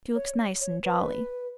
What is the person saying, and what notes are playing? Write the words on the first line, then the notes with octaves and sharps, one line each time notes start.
"She looks nice and jolly."
C#5
C#5
B4